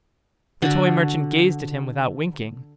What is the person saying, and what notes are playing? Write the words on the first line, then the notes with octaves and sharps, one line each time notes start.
The toy merchant gazed at him without winking.
D3 F#4